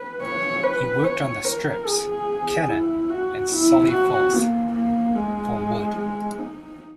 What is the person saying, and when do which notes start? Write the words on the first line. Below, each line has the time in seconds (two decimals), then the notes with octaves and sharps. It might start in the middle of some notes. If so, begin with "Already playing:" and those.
He worked on the strips "Cannon" and "Sally Forth" for Wood.
Already playing: B4
0.23 C#5
0.63 B4
1.04 C#5
1.45 A#4
1.87 G#4
2.69 E4
3.10 F#4
3.51 E4
3.92 F#4
4.33 A#3
4.74 A#3
5.16 G#3
5.97 G#3
6.39 D#4